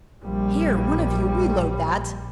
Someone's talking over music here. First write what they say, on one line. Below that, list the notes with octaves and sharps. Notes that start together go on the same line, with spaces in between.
Here, one of you, reload that.
A#1 G3